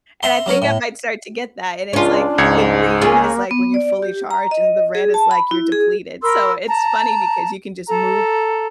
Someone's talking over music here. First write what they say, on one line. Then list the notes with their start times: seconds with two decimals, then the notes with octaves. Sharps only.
and I think I might start to get that, and it's, like the green is, like, when you're fully charged, and the red is, like, you're depleted, so, it's funny because you can just move
0.23 E5 A#5 C6
0.46 F#3 C#4 A#4 C#5
0.62 A2
1.93 C#2 C#4 D4 F4
2.38 C#2 G#2 G#6 C#7
3.01 A#3 C#4 F4 G#4
3.51 B3
3.74 D5
4.02 G4
4.31 A#5
4.51 D#5
4.95 G#4
5.14 A5
5.31 B5
5.51 E4
5.72 G#4
6.22 A#4 B5 C6 E6
6.68 A5 A#5
7.88 A4 A#5